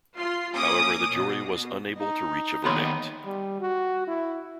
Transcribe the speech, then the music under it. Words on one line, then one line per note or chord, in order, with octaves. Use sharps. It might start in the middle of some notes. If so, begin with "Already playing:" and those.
However, the jury was unable to reach a verdict.
F4 C6
A#3 C#4 D6 D#6
B2
D#4
D#2 B3 C#5 B5 C6
G3
F#4
E4